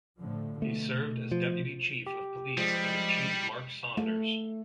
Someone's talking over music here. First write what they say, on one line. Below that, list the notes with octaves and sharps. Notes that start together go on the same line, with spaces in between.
He served as Deputy Chief of Police under Chief Mark Saunders.
A2 D3 F3
B2 A3
F3
G4
F3 G3 G#3 D#5
A3